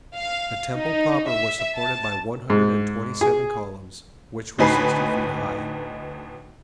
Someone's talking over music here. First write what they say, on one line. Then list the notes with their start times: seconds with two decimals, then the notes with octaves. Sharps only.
The temple proper was supported by one hundred and twenty-seven columns which were sixty feet high.
0.16 F5
0.74 D#4
1.29 E5
1.76 A5
2.50 G#2
3.21 G#4
4.59 D2 A2 D#4 B4 G#5 C7